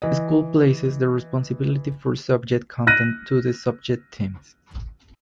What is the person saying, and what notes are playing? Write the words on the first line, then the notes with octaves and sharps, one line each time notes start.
The school places the responsibility for subject content to the subject teams.
E3 D#5
F6 F#6 A#6 D#7